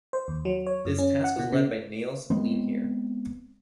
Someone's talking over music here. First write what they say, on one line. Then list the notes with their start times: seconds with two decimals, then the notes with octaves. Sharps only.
This task was led by Niels Leenheer.
0.13 C5
0.28 D#2
0.45 F#3
0.67 C#5
0.85 F#2
0.98 C#4
1.24 F#5
1.39 B2
1.53 C#3
2.30 G#3 B3 C4